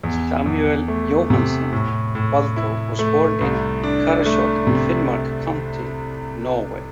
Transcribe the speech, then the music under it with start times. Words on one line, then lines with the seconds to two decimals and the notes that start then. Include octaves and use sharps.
Samuel Johannesen Balto was born in Karasjok in Finnmark county, Norway.
0.03 E2
0.46 E2
0.88 A3
1.30 C3
1.73 A2
2.15 A2
2.56 E4
2.99 A3
3.41 C2
3.83 D4
4.26 A3
4.67 C3